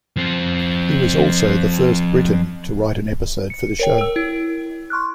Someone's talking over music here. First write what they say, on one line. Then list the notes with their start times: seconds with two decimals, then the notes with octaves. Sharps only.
He was also the first Briton to write an episode for the show.
0.17 F3 C4
3.50 C#7
3.79 A#4 C#5 G5
3.98 A#4 E6
4.16 E4
4.90 C6 C#6 F6 F#6